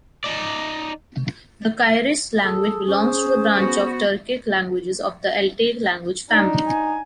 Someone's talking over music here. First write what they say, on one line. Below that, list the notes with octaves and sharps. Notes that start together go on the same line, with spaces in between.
The Kyrgyz language belongs to the branch of Turkic languages of the Altaic language family.
D#4 D5
G#4 A4
C#4 C5
B3 F#4
D4 D#4
G#5